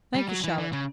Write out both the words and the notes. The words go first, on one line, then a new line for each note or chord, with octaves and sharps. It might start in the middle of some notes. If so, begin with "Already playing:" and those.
'Thank you, Charlotte.
G3
F#3
E3
E3
C#3